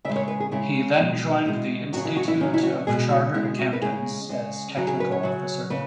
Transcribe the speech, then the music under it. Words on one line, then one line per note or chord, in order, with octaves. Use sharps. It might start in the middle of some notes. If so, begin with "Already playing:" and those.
He then joined the Institute of Chartered Accountants as Technical Officer.
C#3 G#3 E5
C#5
B4
G#4
C#3 G#3 E4
B2 G#3 B3
B2 G#3 E4
C#3 F#3 F#4
E4
F#4
E4
C#3 F#3 C#4
E4
F#4
B2 G#3 G#4
F#4
B2 G#3 E4
F#4
B4
C#3 G#3 G#4
C#3 G#3
C#3 F#3 F#4
G#4
B4
C#5
C#3 F#3
C#3 B4